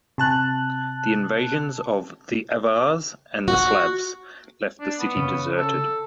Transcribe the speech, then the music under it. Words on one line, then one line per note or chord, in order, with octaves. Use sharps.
The invasions of the Avars and Slavs left the city deserted.
C3 A5 F#6
F#4
D4
B3
C#3
A4